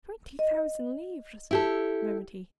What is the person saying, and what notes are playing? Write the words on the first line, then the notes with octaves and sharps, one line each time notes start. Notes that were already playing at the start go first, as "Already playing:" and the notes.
"Twenty thousand livres!" murmured he.
D#5
E4 G4 A4